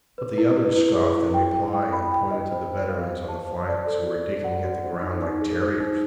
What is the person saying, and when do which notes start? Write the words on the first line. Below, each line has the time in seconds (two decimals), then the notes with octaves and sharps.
But the others scoffed in reply, and pointed to the veterans on the flanks who were digging at the ground like terriers.
0.18 B4
0.38 E4
0.57 B4
0.76 E4
0.95 G#4
1.15 E4
1.34 G5
1.54 G5
1.73 G5
1.93 B5
2.12 G5
2.31 D#5
2.51 C5
2.71 C5
2.89 F5
3.09 C5
3.28 A5
3.47 C5
3.67 D5
3.86 A4
4.05 F#4
4.25 D5
4.44 F#5
4.64 F#4
4.83 C5
5.02 D#4
5.22 D#4
5.41 G#4
5.61 C5
5.80 D#4